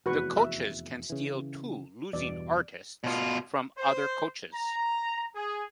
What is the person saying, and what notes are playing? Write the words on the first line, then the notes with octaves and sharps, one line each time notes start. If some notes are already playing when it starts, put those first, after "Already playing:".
The coaches can steal two losing artist from other coaches.
F1 E2 F#4 B4 C#6
E5
C#3 E3
E2 G2 B2 D5
B2 F4
C5
A#5
G#4